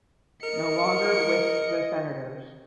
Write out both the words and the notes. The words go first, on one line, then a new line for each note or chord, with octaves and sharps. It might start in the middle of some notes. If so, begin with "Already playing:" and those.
No longer with the Senators.
A#4 D#5 C#7